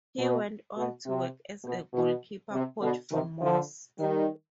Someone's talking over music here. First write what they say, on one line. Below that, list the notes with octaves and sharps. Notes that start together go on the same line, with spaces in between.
He went on to work as a goalkeeper coach for Moss.
B2
B2
C3
B2
B2
C3
B2 D3
C3 D#3
D3 F3
D#3 G3